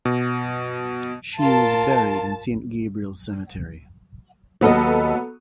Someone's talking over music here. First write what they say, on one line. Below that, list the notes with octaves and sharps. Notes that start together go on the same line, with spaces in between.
She was buried in St Gabriel’s Cemetery.
B2
F4 A#4 A5
D#2 F#3 B3 A4 D#5